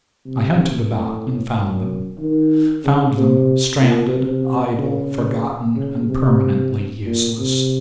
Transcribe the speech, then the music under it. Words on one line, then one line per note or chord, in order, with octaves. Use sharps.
I hunted about and found them--found them stranded, idle, forgotten, and permanently useless.
C3
A2
F#2
D#3
C#3
C3
A#2
C3
C#3
C#3
C3
A#2
C3